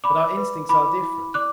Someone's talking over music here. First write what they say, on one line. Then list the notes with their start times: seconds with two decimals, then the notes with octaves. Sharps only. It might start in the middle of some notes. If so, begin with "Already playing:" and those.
But our instincts are different.
0.04 D5 B5 D6
0.37 B4
0.69 E4 B5 D6
1.02 E4
1.34 D5 D6 F#6